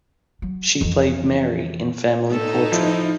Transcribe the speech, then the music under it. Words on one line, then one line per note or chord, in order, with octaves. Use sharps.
She played Mary in "Family Portrait".
F#3
F2 E3
A2 D#4 A4
F3 E4